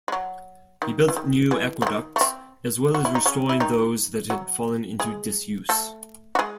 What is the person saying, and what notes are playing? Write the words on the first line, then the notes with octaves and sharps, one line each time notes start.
He built new aqueducts as well as restoring those that had fallen into disuse.
G#3
F#3
D#3
E3
D#3
E3
C#3
D#3
A3
C4
F#4
E4
D#4
C#3 C#4
E4
D#3 D#4
F#3 F#4
G#3 G#4
A3 A4
F#4
G#3 G#4